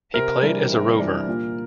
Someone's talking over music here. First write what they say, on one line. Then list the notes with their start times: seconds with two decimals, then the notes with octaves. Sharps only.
He played as a rover.
0.14 C3 A#4
0.42 E3 G3 D4
0.71 C3
0.99 E3 G3 D4
1.28 A#2